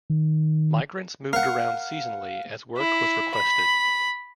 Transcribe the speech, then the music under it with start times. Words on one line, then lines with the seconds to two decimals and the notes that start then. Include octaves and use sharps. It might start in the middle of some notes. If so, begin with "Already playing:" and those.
Migrants moved around seasonally as work was requested.
0.10 D#3
1.33 A#4 F5 F#5
2.77 E4
3.35 B5